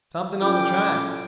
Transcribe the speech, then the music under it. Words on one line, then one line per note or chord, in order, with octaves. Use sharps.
Something on the track.
A2 F#3 C#4 F4 G5 D6